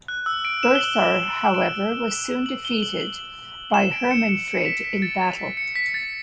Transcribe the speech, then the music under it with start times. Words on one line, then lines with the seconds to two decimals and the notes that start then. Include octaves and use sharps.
Berthar, however, was soon defeated by Hermanfrid in battle.
0.08 F#6
0.26 E6
0.45 D7
0.63 E7
0.75 G7
0.81 F#7
1.54 D7
2.28 E7
2.46 F#7
2.65 G7
2.82 F#7
3.01 F#7
3.74 E7
3.93 D7
4.11 C#7
4.29 C#7
4.48 D7
4.66 B6
4.84 B6
5.02 A6
5.21 A6
5.39 B6
5.57 C#7
5.75 B6
5.94 A6